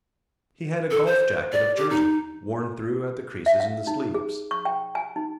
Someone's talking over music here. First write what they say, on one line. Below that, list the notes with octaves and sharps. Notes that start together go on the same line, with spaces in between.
He had a golf jacket of jersey, worn through at the creases in the sleeves.
A4
C5
D5
G4
D#4
E5
F5
D#4
G#4
C#6
G5
G#5
D#4